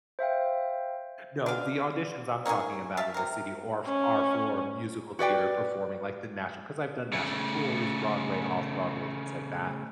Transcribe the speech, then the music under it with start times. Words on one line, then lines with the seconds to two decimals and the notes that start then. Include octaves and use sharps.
No, the auditions I'm talking about in the city are f are for musical theater performing like the natio 'cause I've done national tours, Broadway, Off-Broadway, things like that.
0.19 C5 E5 F5 G5
1.46 D3 F5
2.46 A#3 C#4 D#4 G#4
2.97 E5 F5 A5
3.14 C3 A#4
3.86 C#4
5.19 F#4 B4 D5 G5
7.13 C#3 A3